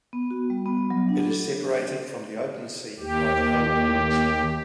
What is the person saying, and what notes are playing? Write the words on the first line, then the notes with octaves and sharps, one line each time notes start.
It is separated from the open sea by the Hel Peninsula.
B3
F#4
G3
B3
F#3
D4
A4
D#2 G4